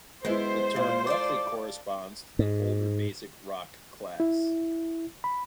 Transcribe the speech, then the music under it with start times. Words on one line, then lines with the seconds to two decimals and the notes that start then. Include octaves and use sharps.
The term roughly corresponds to the older basic rock class.
0.25 F#2 G#3 B3 E4 C5
0.76 A#2 F4
1.07 F4 A4 D5 D6
2.39 G#2
4.20 E4
5.24 B5